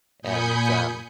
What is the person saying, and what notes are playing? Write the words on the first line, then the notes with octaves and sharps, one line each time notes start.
And, um,
A#2 G#5 B5 D#6 G6 C#7